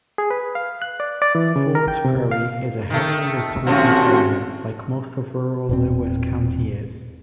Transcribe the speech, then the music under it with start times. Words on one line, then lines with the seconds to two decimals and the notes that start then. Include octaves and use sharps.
Fords Prairie is a heavily Republican area, like most of rural Lewis County is.
0.18 G#4
0.30 B4
0.55 F5
0.82 F#6
1.00 D5
1.22 D5
1.35 E3
1.56 C#3
1.75 A#4
1.88 G5
2.05 C3
2.32 F5
2.90 D#3 A3
3.67 D#2 A2 F3 C4 C#4 F#4
5.69 E1 A#2 C4